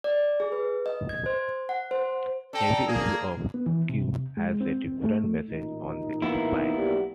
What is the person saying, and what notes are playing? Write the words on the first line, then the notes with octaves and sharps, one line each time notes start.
Every issue of "Q" has a different message on the spine.
D5
G#4
B4
D#5
G#6
C5
F#5
C5
D4 A4 G5 A#5
A#3 G#4
B3
E3
C3
G#3
C4
A3
A1 A#2 D#4
A#3 B3 E4
B1 G3